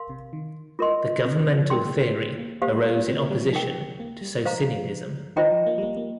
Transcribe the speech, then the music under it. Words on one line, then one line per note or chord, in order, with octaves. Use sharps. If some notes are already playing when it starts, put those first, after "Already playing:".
The governmental theory arose in opposition to Socinianism.
Already playing: A#4 F5 C6
C3
D#3
F4 A#4 D#5 C6
C3
D#3
F3
G3 D#4 A#4 G5 C6
A#3
A#3
A#3
A#3 G4 C5 F5
G3
A#3
A#3
C4
A#3
G3
F3
D#4 A#4 G5
C3
A#3
G3
F3 C5 F5 A#5
F3
F3
D#3 F4 C5 D#5 G5 A#5
F3
A#3
G3
A#3
A#3